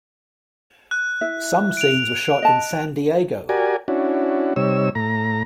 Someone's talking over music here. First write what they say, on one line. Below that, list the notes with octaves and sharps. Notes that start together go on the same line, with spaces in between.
Some scenes were shot in San Diego.
F#6
E4 E5
D7 F7
D#5 A5
F#4 G4 A#4 D5 G#5
C#4 D4 E4 F#4
C3 G3 D#4 C#5 E6
A2 A#5